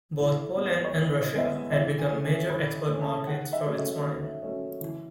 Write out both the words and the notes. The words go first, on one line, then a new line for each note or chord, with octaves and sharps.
Both Poland and Russia had become major export markets for its wine.
A2
G#3 B3
C#5
A2 D#5
D#5
G#3 B3 E5
D#5
E3 E5
G#5
A3 C#4
G#5
E3 B5
A3 C#4 G#5
A5
D#3 F#5
E5
F#3 A3 C#4 D#5
E5
D#3
F#3 A3 C#4
E3